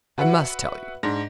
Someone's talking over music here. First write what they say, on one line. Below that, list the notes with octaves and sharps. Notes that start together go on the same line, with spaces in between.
I must tell you.
F#4 B4 E5 F#5
G#2 D4 A#6